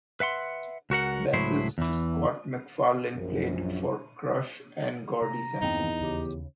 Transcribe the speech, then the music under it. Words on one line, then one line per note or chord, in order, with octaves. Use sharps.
Bassist Scott MacFarlane played for Crush and Gordie Sampson.
B4 E5 F#5 C6
C#2 F#4 A#4 F#5
C#2 A2 F#3 E4 C5
E2 E3
A#1 F#2
C3 A#5
E2 G2 A#3 C4 D#4
D#2 C#3 G4